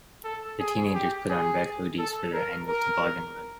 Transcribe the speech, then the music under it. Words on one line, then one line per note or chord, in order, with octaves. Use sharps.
The teenagers put on red hoodies for their annual toboggan run.
A4
G#4
G4
G#4
A4
A#4
A#4